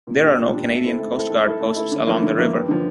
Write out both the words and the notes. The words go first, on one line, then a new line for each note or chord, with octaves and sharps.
There are no Canadian Coast Guard posts along the river.
A#2
G3 D4
A#2
G3 D4
A3
C4 E4 A4
A3
C4 E4 A4
A3
E4 A4
A3
E4 A4
D3
F3 A#3 E4
D3
F3 A#3 E4
G2
D3 F3